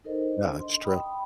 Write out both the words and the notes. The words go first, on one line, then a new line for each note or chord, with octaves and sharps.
Yeah, it's true.
D#4 A4 A#4 C5 D#5
D4
D#5 C6
G5 B5 D#6